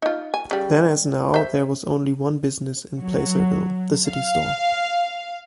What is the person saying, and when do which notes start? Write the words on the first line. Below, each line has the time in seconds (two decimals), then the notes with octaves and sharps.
Then as now there was only one business in Placerville, the city store.
0.02 D#4 F4
0.34 G#5
0.51 C#3 G3
1.34 C5 E5
2.99 F#3
4.08 F5